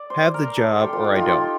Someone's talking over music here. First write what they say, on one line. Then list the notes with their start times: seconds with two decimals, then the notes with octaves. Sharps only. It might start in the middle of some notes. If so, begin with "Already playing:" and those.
have the job or I don't.
Already playing: D5
0.10 C5
0.34 A#4
0.57 A4
0.81 G4
0.93 F4
1.04 D#4
1.16 F4
1.28 G4